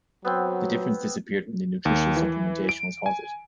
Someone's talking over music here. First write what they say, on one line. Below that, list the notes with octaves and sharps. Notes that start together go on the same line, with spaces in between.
The difference disappeared when the nutritional supplementation was halted.
F#3 B3 C4
D#2
E3
D7
G#5